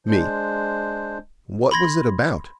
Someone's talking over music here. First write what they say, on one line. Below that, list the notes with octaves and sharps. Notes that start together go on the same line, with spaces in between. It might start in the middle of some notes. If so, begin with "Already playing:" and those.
ME: What was it about?
G#3 D4 C5
B5 C6 G#6 A#6